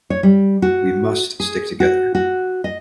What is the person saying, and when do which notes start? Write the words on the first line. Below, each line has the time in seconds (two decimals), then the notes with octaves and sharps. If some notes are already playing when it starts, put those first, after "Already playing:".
We must stick together.
0.10 C#5
0.23 G3
0.62 F#4
1.40 G#4
1.80 F#4
2.15 F#4
2.64 D#5